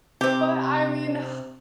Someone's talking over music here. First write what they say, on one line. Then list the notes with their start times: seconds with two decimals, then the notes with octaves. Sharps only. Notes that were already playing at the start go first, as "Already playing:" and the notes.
But I mean, h
0.21 C3 C4 G4